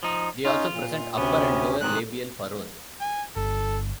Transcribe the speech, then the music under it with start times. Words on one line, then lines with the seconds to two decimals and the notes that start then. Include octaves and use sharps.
They also present upper and lower labial furrows.
0.03 F3 D#4
0.45 C#4 D#4 F4
0.75 A#2
1.18 D2 C3 B3 C#4
1.81 G#2 C3 D#3 F#6
3.01 G#5
3.36 G1 A4